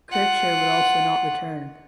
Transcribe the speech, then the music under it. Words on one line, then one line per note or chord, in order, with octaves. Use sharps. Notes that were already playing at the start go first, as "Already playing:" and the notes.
Kircher would also not return.
F4 F#5